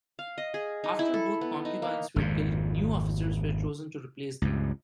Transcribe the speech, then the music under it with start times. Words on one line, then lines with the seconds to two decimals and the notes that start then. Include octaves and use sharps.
After both concubines were killed, new officers were chosen to replace them.
0.19 F5
0.38 D#5
0.54 G#4
0.84 D#4
0.99 E4
1.14 A4
1.41 B3
1.65 D#4
1.82 A#3
2.16 G#1 F2 A#2
4.42 C#2 G2